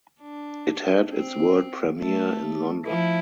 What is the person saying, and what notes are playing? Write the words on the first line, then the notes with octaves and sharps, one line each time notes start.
It had its world premiere in London.
D4
C4
A3
F3 E4